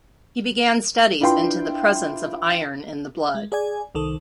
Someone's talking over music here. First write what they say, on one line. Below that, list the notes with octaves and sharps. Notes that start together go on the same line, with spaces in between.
He began studies into the presence of iron in the blood.
D4 E4 F4 B4 G5 C6
G#3
G#4 D5 G#5
C2 D#3 A4